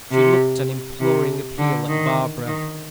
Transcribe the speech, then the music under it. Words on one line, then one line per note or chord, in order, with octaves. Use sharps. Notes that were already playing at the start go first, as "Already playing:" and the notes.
She looked an imploring appeal at Barbara.
C3
C3
D3
D#3
D#3